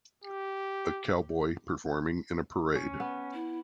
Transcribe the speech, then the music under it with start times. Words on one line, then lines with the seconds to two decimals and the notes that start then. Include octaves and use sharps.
A cowboy performing in a parade.
0.24 G4
2.76 C#4
3.00 B3
3.33 E4